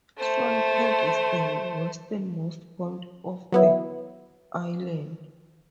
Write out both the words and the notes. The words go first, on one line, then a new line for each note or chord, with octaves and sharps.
Swan Point is the westernmost point of the island.
A3 C5
F#3 B3 E4